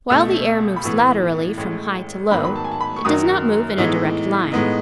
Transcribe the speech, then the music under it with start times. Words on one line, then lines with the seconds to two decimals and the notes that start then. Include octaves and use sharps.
While the air moves laterally from high to low, it does not move in a direct line.
0.10 C#2 B2 A3 E6
0.76 B5
0.83 A2 E3 B3 C#6
1.57 A1 A2 G#3
2.31 G#2 D#3 F#3 B3 B5
2.45 B5
2.56 A5
2.64 G#5
2.71 A5
2.81 B5
2.96 C#6
3.05 F#2 D#3 F#3 D#6
3.78 A2 E3 G#3 B3 D#4
4.52 A2 G#3 B3 D#4